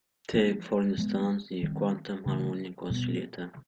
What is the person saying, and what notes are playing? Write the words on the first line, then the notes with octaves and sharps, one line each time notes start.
Take for instance the quantum harmonic oscillator.
F3 A#3 D4
F3 G#3 B3
D#3 G3 C4
C#3 E3 A3
B2 G3 B3